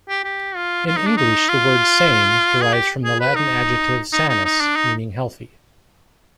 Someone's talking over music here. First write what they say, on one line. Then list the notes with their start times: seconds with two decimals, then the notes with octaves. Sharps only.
In English, the word "sane" derives from the Latin adjective "sanus" meaning "healthy".
0.09 G4
0.24 G4
0.56 F4
0.87 F4
0.96 D#4
1.07 D4
1.17 D#4
1.49 F4
2.62 G#4
2.73 G4
3.05 G#4
3.20 B4
3.36 D#4
4.13 D#4
4.29 D#4
4.45 D#4
4.61 D4
4.76 D#4